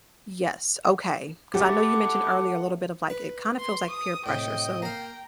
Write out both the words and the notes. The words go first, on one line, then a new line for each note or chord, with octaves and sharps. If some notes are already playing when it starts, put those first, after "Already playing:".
Yes. Okay, 'cause I know you mentioned earlier a little bit of, like it kinda feels like peer pressure so,
A3 E4 G4 F#5 D6
B4
C6
D#6
A2 C3 D#5 G5
A#3 F5 G5 A#5